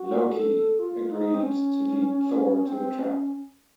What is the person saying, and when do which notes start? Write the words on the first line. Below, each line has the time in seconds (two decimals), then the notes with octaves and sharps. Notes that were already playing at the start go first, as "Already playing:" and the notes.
Loki agreed to lead Thor to the trap.
Already playing: F#4
0.32 A4
0.79 F4
1.11 D#4
1.35 C4
1.42 C#4
2.67 C4
2.98 C#4